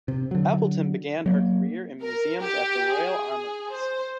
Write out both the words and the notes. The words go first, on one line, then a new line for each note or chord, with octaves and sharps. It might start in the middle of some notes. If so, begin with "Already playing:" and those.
Appleton began her career in museums at the Royal Armouries.
C3
D3 F#3
F#3 G#3 A#3
A#4
G4
G#4
C5